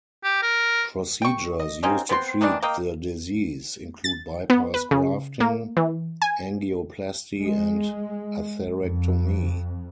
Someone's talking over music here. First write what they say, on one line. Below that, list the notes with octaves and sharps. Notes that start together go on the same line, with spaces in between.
Procedures used to treat the disease include bypass grafting, angioplasty, and atherectomy.
G4
A#4
G5 C#6
D#5
A#3 C4 C#4 D#4
B3 C4 G5 C6
D#3 E3 G3 D4
A#3 D#5 G5
A6
B3
B4
C#3
A#3
E3
G#5
G#3
F2